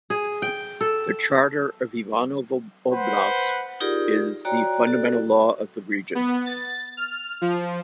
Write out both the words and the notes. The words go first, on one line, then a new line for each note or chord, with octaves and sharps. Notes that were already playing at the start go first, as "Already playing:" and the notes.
The Charter of Ivanovo Oblast is the fundamental law of the region.
G#4
G5
A4
B4 C5 F#5
D#4 F4 G4 G#4 A#4 D5
F#4 C#5 D5 G5 A#5
F#4 A4 D5
B3
A6
F6
F3